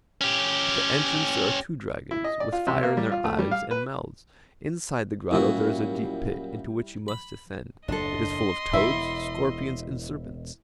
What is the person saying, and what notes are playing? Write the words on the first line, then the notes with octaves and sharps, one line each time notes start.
At the entrance there are two dragons, with fire in their eyes and mouths; inside the grotto there is a deep pit into which you must descend, it is full of toads, scorpions, and serpents.
C#4 G4
E4
D#5
D5
F4
C3
A#3
G3
F4
A3
G3
F5
B4
F#2 A#2 G3 E4 F#4
B5
F#1 D#2 A2 D4 A4 D#5 C6
E1 B2 E4 E5